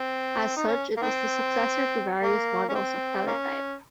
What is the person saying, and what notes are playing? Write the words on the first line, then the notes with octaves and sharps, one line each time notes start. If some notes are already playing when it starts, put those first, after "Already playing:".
As such, it was the successor to various models of Teletype.
Already playing: C4
D#4
C#4
A#3
D#3 C4
A#3
C#4
C4
A#3 C#4